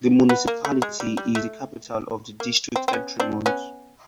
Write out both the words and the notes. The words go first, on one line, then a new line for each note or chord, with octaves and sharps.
The municipality is the capital of the district of Entremont.
B3
A#3
A3
G#3
G3
G3
A3
A#3
C4
C4
B3 C#4
C4 D4
B3 C#4